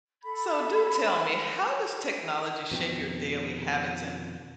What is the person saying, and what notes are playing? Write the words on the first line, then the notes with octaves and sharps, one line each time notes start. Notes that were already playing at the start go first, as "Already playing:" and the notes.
So do tell me, how does technology shape your daily habits and
A4 B5
F2 B2 D#3 F3 G5